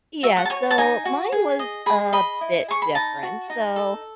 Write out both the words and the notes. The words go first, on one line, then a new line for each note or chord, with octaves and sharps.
Yeah, so mine was a bit different. So,
F#4 E5
F#5
A5
C#5 G#5
A5
D#4 G#5
F#4
G#4
D#5
G#4 B5
D#5 B5
E4
G#4 C#6
B5
D#4 A5
F#4
D#4
A4